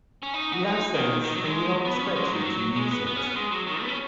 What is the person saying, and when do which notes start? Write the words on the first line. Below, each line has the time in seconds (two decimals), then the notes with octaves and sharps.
You have sense, and we all expect you to use it.
0.23 C#4
0.34 D#4
0.52 F#4
0.63 D#4
0.95 D#3
1.24 D#3
1.35 F#3
1.45 G#3
1.85 B3
2.00 C#4
2.16 G#3
2.26 F#3
2.36 D#3
2.46 F#3
2.76 G#3
2.91 B3
3.07 B3
3.16 C#4
3.27 B3
3.36 G#3
3.52 F#3
3.67 D#3
3.81 B3
3.88 C#4